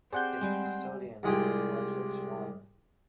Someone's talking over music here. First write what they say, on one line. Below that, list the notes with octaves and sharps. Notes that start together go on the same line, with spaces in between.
Its custodian is Wessex Water.
C4 G4 G#4 C5 D5 F#5 G6
G3 G#3
C2 G#3 F4 G4